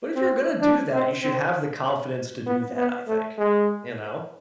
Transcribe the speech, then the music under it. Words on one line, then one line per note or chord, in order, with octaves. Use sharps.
But if you're gonna do that you should have the confidence to do that, I think, you know?
C4
D4
C4
C4
B3
B3
A3
G#3